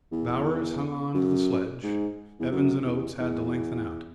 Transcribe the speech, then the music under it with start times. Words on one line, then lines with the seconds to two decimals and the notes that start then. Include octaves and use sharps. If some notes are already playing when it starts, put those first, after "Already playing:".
Bowers hung on to the sledge, Evans and Oates had to lengthen out.
0.12 E2
1.15 F#2
1.83 G#2
2.40 E2
2.52 F#2
2.85 E2
3.20 E2